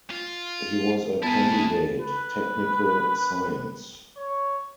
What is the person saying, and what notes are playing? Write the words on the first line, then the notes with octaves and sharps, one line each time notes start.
He was a candidate technical science.
F4
B3 E4 G#4 A5 A#5
B4
C#5